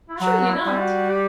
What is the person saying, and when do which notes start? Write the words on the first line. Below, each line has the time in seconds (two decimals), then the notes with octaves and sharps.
"Surely not?"
0.09 E4
0.19 F#3 F#4
0.39 F#4
0.50 E4
0.64 G3
0.80 F#4
1.11 G4